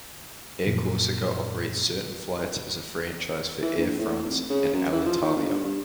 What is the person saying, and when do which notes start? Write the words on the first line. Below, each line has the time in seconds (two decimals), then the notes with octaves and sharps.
Air Corsica operates certain flights as a franchise for Air France and Alitalia.
0.66 F#2 A#2 F3
3.62 E3
3.77 A#1
3.99 A2
4.24 F1
4.50 C#3
4.74 F#2
4.93 E3
5.06 F3
5.22 D#3
5.36 G1
5.50 G2
5.64 G2